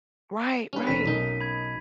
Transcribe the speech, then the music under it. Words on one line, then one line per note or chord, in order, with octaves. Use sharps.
Right, right.
G3 A#3 C#4 D4 B4
F1 D4 A4 B6 D#7
B1 C#4 D#4 A#4 D#5
B5 G#6